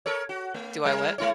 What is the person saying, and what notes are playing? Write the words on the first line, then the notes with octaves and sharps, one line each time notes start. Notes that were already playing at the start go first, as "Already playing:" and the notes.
Do I what?
A4 A#4 C#5
F#4
A3
G3 A#4
G#3 E4 C#5